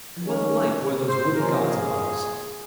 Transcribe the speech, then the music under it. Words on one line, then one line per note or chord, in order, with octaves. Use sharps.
And what like were those wooden gods of ours?
D#3 G#3 C#4
C5
C3 F3 A#3 C#4 A#4
G#4